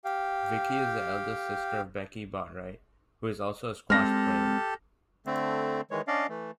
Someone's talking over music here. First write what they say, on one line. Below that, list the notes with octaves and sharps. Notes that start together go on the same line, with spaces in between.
Vicky is the elder sister of Becky Botwright, who is also a squash player.
G4 F5 G5
G#3 C4 G4 A4 F6 A#6
D3 A3 C4
D#3 E3 G#3 C#5
C#4 D4 D5 D#5 F5
E3 A3